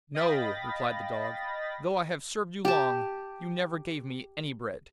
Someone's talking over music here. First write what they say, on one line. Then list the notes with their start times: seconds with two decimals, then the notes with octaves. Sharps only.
'No,' replied the dog; 'though I have served you long, you never gave me any bread.
0.15 D#5 F5 G5 B5 A6 A#6
2.65 G4 A5